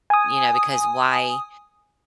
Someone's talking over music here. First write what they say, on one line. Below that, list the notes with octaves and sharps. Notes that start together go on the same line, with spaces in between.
You know, because why
G#5 D#6